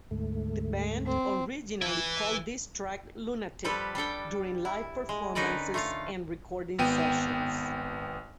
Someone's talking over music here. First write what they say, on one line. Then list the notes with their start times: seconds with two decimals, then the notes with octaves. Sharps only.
The band originally called this track "Lunatic" during live performances and recording sessions.
0.11 D2 G#2 A3
1.06 C4
1.82 E3 E4
3.64 F3 G3 G4 A4 B4
3.95 G3 D4 A4 G5
4.65 E4
5.09 G#3
5.35 D3 C#4 D#4 A#4 B4 D5
5.74 A3 F4 F5
6.79 G#1 B3 G5 D#7